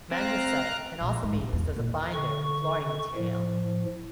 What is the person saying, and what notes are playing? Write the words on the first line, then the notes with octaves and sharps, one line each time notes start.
Magnesite can also be used as a binder in flooring material.
C4 F5 A#5 F#6
A#1
G#2
A1
E2
A#2
D3 C#6
A2 F3